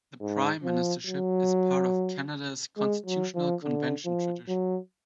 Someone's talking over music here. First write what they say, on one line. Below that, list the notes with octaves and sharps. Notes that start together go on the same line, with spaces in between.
The prime ministership is part of Canada's constitutional convention tradition.
G#2
F3
F#3
G#3
F#3
F3
D3
F3
F#3